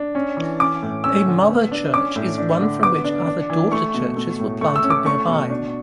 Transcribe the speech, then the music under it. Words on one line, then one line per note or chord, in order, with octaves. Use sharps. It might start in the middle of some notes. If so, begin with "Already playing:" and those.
A mother church is one from which other "daughter churches" were planted nearby.
Already playing: D4
C#4
E3
C#4 D6
A2
C#4 E6
D3
B3
D4
C#4 D6
A2
D4
D3
B3 D6
D4
D4
E3
A3 C#6
B2
A3
A2
A3 C#6
E6
C#4
D6
A3 C#6
B2
D4